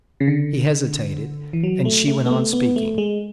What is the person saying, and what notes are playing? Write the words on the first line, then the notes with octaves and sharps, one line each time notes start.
He hesitated--and she went on speaking.
C#3
D3
E3
F#3
A3
A3
B3
A3
B3
A3
G#3